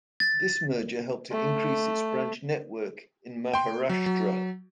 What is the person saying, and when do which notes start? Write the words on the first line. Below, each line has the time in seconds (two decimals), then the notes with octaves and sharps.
This merger helped it increase its branch network in Maharashtra.
0.20 A6
1.31 A3
3.54 G5 C6
3.89 F#3
4.06 F#3